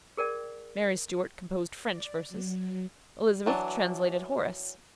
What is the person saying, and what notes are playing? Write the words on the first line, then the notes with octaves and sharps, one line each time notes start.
Mary Stuart composed French verses; Elizabeth translated Horace.
G#4 A#4 D5 G5
D5
F#3
E3 F#3 D4